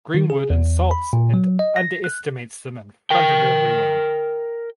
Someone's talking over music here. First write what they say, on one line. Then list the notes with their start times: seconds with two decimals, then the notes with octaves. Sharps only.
Greenwood insults and underestimates them in front of everyone.
0.14 D#3
0.30 G#4
0.50 E2
0.91 B5
1.13 A#2
1.34 F#3
1.59 D#5
1.76 A#6
2.04 F#6
3.11 A#4 G5